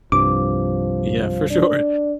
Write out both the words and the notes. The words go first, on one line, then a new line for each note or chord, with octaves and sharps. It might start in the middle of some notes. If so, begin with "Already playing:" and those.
Yeah, for sure.
C2 G2 F3 D6
D4